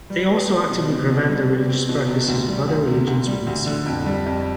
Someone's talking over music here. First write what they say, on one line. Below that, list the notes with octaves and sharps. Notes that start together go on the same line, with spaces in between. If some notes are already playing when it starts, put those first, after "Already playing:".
They also actively prevent the religious practices of other religions within Saudi Arabia.
G3
B3
G3
B2
C4
B2
G3
B2
C4
B2
C3
D2
G3
D2
C3
D2
G3
D2
D3
F2
G3
F2